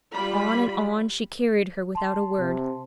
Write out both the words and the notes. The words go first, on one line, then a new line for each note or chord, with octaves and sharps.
On and on she carried her without a word.
G3 F4 B5
A5 C6
C3